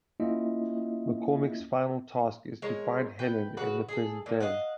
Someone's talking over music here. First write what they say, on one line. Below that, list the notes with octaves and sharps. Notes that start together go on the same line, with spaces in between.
McCormick's final task is to find Helen in the present day.
A#3 C#4 E4 F4 D#5 E5
G#3 A#4 C#5
B4 G5
C#3 F#4 B4
G#4 A4
A#2
D#5 F5 F#5